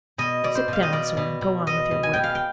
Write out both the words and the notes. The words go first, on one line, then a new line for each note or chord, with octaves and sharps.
"Sit down, sir, and go on with your work."
B2 D#5
B2 D5
C5
B2 F5
D#5
B2 D5
B2
B2
B2 D#5
B2
G#5
B2 G5
F5
G5